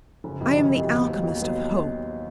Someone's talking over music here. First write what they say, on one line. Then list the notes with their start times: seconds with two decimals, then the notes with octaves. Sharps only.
I am the alchemist of hope.
0.24 F#1
0.41 F2 C3 D#3 F#3
0.57 F#1
0.74 F2 C3 D#3 F#3
0.90 D#2
1.07 D#3 F#3 B3
1.24 D#2
1.40 D#3 F#3 B3